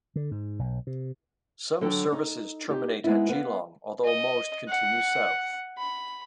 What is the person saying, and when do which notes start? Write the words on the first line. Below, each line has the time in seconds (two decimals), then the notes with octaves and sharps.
Some services terminate at Geelong, although most continue south.
0.16 D3
0.31 G#2
0.59 B1
0.87 C3
1.81 D3 F#3 A4 G5
2.12 D#4
2.69 D#4 G4
3.04 G#3 B3 D#4 E4
3.29 B3 B4 F5
4.04 D#5
4.68 F#5
5.78 B5